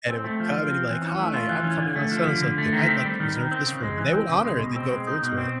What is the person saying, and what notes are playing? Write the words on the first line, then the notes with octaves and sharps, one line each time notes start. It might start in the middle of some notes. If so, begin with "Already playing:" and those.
And it would come and he'd like, "Hi, I'm coming on so-and-so date, I'd like to reserve this room," and they would honor it, they'd go through to it.
C4
A3
F3
F3
C4
E3
C#4
A3
F4
E3
C#4
D3
A3
F3
D3
D3
A3
D#3
C4
G3
D#3
D#3
C4
C#3
G#3
E3
C4
C#3
G#3
B2
C4
G#3
D#4
B2
C4